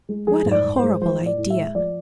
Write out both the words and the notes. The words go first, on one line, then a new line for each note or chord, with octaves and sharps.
What a horrible idea!
G#3
F3 G#4
G#2
D5
G#2
C5
G#3
F3 C5
A2
D5
A2
E5
G#3
F3 D5